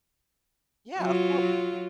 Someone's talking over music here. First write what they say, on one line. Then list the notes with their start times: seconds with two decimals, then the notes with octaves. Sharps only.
Yeah, of course.
0.99 F#3 F4